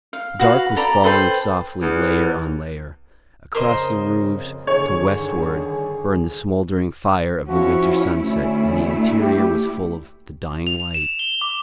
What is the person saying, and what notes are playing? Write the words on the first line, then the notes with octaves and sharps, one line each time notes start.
The dark was falling softly layer on layer; across the roofs to westward burned the smouldering fire of the winter sunset, and the interior was full of the dying light.
F5
F#4 B4 F5
A4 D5 A#5 B5
A4 B4 C5 G5
E2
F2 C#3 A#4 C5 D#5
G2 D3 D#3 G#4 C#5
F3 C#4 E4 F#4
D2 A3 C#4 E4
G4
F7
F7
E7
G7
D6